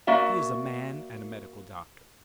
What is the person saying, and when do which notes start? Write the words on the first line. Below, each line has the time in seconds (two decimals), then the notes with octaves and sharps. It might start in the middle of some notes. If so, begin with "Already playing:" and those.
He is a man and a medical doctor.
0.07 A#3 F#4 D5 E5